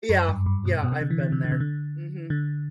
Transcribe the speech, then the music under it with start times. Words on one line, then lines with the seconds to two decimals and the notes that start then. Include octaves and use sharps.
Yeah, yeah, I've been there. Mhm.
0.09 F#2
0.29 G2
0.46 G2
0.65 B2
0.83 B2
0.92 C3
1.01 D3
1.10 E3
1.20 D3
1.32 C3
1.44 D3
1.52 C3
1.60 D3
2.30 D3